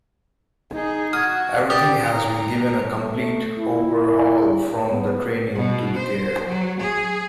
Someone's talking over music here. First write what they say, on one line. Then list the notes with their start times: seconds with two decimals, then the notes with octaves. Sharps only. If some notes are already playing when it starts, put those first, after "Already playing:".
Everything has been given a complete overhaul from the training to the gear.
0.73 D#4 G#4
1.13 F#4 D#6 F6 G#6
1.70 G4 D5 D#6
2.03 A#5
3.01 A3
3.58 E4
4.90 B3
5.55 B2
5.97 C5
6.46 F#3
6.80 G#4